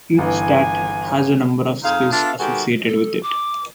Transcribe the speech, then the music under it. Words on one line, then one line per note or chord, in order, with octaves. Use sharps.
Each stat has a number of skills associated with it.
G1 E3 G#5
F2 D#4 F4 G#4 F5
B3 D4 F4 A4 E5 F5
D#3 G#3 B3 F#4 G4 A4
A4
D6